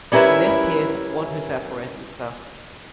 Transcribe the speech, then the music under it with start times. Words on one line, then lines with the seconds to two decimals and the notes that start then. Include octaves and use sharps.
In this case, "one who separates itself".
0.12 G3 C#4 E4 A#4 B4 E5